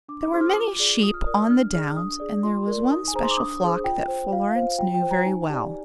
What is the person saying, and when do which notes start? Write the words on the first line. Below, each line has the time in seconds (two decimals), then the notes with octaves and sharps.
There were many sheep on the downs, and there was one special flock that Florence knew very well.
0.09 D4 D6
0.22 D6
0.32 F4 G#4 C5 C6
0.41 F6
0.48 D#6
0.55 F4 D6
0.79 G#4 D5
1.03 F4 D#6
1.14 F6
1.26 A#4 D5 D#6
1.38 D#6
1.50 D4 F6
1.73 G#4 D5 F6
1.97 D4 D#6
2.20 G#4 D5
2.43 F4 C6
2.67 A#4 D5
2.91 D#4 D#6
3.08 G#5
3.14 G#4 C5 A#5
3.23 C6
3.31 D6
3.37 D4 D#6
3.61 G#4 C5
3.84 F4 G5
4.08 C5
4.32 F4 F5
4.51 C5 F5
4.78 F4 G5
4.94 G5
5.02 C5
5.11 A#5
5.25 D#4 G#5
5.49 G4 D5